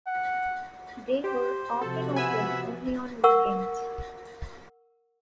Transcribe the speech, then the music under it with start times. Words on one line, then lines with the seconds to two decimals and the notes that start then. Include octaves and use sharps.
They were often open only on weekends.
0.07 F#5
1.24 G4 C5
1.81 C3 F3 F#4 A4
2.16 B3 E5 G#5 B5 E6
3.24 A#4 F#5 C#6 E6